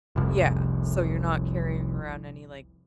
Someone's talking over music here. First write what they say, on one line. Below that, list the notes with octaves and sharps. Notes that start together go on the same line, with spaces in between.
yeah, so you're not carrying around any, like,
F1 C2